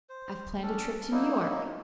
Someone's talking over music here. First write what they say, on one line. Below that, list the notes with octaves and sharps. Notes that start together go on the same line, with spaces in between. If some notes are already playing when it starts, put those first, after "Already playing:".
"I've planned a trip to New York."
C5
C#4 D4 A4
F#3 A#3 D#4 E4